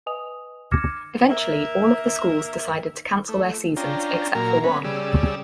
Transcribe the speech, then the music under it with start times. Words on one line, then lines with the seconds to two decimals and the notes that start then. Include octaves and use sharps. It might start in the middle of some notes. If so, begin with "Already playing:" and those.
Eventually all of the schools decided to cancel their seasons except for one.
0.06 B4 D#5 G#5 D#6 F7
0.72 D6 F6 G#6 A#6 C#7 E7
1.29 A#3 A#4 E5
3.29 A3
3.77 C#4 D4 F4 G5 A#5
4.35 A#2 F#3 A#3 A#4 A#5
4.64 B3 C#4 B5
4.84 C#3 G3 G#4 D5 E6